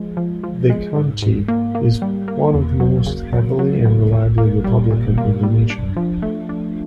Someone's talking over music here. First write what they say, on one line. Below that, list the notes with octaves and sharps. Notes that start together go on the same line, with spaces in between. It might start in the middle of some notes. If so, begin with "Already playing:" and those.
The county is one of the most heavily and reliably Republican in the nation.
Already playing: F3 G#3
F3
F3
G#3
G#2
G#2
A#3
A#3
G3
A#3
E2
F#3
C#3
F#3
F#3
E2
A#2
A#3
G3
A#2
A#3
G3
D4
F3
A3
D4